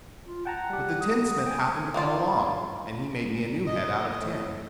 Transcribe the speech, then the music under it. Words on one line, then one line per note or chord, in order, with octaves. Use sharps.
But the tinsmith happened to come along, and he made me a new head out of tin.
F4
F#5 G5 A5 A#5
G3 G4
D#6
G5 G#5
A#3 C#4 F4 D5
D#5
A2